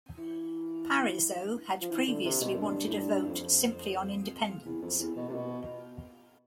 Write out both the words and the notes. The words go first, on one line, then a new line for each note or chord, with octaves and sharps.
Parizeau had previously wanted a vote simply on independence.
E3
F3
E3
D3
C3
B2
F2
G2
A2
G2
G2
F2
E2
F2
E2
B2
C3
B2